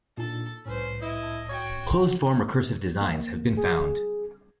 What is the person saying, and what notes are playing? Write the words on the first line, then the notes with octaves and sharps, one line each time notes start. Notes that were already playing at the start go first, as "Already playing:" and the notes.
Closed-form recursive designs have been found.
A#2 D4 D#4 A4
C2 A2 C#4 B4 C5
E4 D#5
F#4 C#5 G5
A#3
G#4